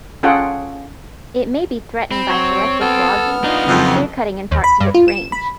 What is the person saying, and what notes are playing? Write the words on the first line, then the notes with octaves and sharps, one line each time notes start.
It may be threatened by selective logging and clearcutting in parts of its range.
C#4 F4 G#4 A4 F#5 G5
C4 B5
F#3 C#5
B3 A4 F6
D4 D#4 F4
F2 C#3 F#3
D#2
B5
G2
F4
E7
B5